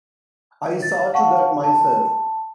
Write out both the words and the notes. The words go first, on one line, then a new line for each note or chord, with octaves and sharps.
I saw to that myself...
A6
F5 F#5 A5 C#6
A5